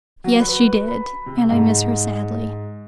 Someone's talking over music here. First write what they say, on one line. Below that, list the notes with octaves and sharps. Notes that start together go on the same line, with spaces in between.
'Yes, she did; and I miss her sadly.
F#3
B4
B5
C3
G#2